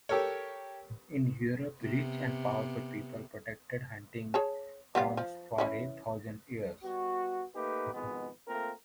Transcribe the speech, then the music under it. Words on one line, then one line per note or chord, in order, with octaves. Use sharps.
In Europe, rich and powerful people protected hunting grounds for a thousand years.
G4 A4 A#4 C#5
C3 B3
G#4 C#5 A5
G3 B3 F4
F3
E3 C#4 E4
G3 B3 F#4
A3 A#3 D#4 G4 B4
G#1 F2 B2 G#3 B3
A3 A#3 C4 F4 A#4